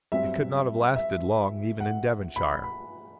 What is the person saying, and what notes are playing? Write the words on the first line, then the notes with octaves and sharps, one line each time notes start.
It could not have lasted long even in Devonshire.
G2 F#3 C4 E5
E5
F#5
B5
B5